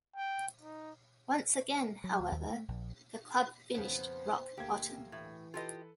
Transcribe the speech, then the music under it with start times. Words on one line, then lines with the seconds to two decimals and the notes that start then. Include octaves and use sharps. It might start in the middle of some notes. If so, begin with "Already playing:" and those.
Once again however the club finished rock bottom.
0.16 G5
0.61 D#4
2.04 F#3
2.20 D2
2.32 D#2
2.50 A3
2.68 A#1
3.75 F2 C#3 B3 C5
4.57 D2 A#3 G4 G#6
5.12 A2 E3
5.54 F4 G4 A4 B4 D#5